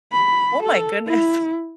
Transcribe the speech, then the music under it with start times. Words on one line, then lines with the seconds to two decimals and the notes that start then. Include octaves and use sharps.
Oh my goodness.
0.12 B5
0.63 A4
1.07 E4